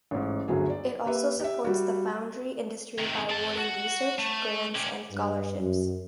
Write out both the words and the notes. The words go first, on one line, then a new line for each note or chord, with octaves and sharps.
It also supports the foundry industry by awarding research grants and scholarships.
A1 G#2
G1 D2 F#3 G#4
D5
A#3 G4 B4 E5
G4 E5
G3 F#4
C3 D#3
C4 A5
F#4
A3
C#4 G4
G2
F#2